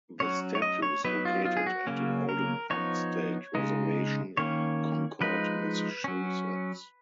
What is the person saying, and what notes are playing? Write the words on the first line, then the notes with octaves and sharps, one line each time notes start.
The statue is located at Walden Pond State Reservation in Concord, Massachusetts.
F#3 C#4 C#5
C#5
D#5
C#5
F#3 B3 D#4 B4
F4
F4
G#4
F#4
C#3 F#3 A#3 C#4
A#4
F3 B3 D#4 C#5
C#3 G#3 D#4
D#3 A#3 C#4 C#5
F3 G#3 D#4 B4
F#3 C#4